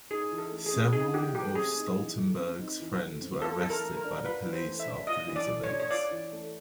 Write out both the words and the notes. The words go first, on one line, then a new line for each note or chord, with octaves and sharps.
Several of Stoltenberg's friends were arrested by the police after these events.
D#4 G#4
E3
A4
A3
G#4
C4
D#4 G#4
E3 G4
A3 G4
C4 G#4
D#4
E3
A3
C4
D#4
E3
A3
C4
F4 A4
E3 A4
A#4
A3
A#4
D4
F4 B4
E3
C5
A3
E5
D4
F4 D#5
E3
D5
A3
C#5
D4
C#5
F4 D5
E3
A3